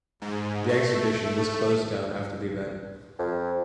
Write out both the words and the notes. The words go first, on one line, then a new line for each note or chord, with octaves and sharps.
The exhibition was closed down after the event.
G#2
A3
F2